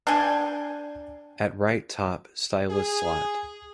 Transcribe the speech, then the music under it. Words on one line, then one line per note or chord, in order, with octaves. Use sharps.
At right top, stylus slot.
D4 G5 G#5
G#4